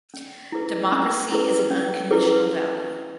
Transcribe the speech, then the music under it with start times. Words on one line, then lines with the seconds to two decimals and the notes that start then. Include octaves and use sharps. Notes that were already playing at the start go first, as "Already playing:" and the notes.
Democracy is an unconditional value.
0.14 C#4
0.52 E4 G#4 B4
0.92 C#4
1.32 E4 G#4 B4
1.71 C#4
2.11 E4 G#4 B4